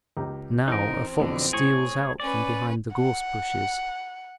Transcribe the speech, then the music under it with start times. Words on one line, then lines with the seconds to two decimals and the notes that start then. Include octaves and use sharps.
Now a fox steals out from behind the gorse bushes.
0.17 C#2 G4 A#5
0.68 A1 C4 D#4 A#4
1.20 A1 F2 B2 D3 B3
1.53 A2 G#4 C#5
2.20 C#4 B4 D5
2.93 F#5